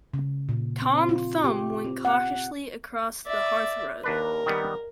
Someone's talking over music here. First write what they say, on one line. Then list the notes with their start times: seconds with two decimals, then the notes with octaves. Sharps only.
Tom Thumb went cautiously across the hearth-rug.
0.14 C#3
0.49 A#2
0.82 C4
1.09 F4
1.44 G4
1.85 C4
2.05 F#5
3.26 D5 E5
4.04 D#2 D4 A#4 B4
4.46 D#3 G3 B3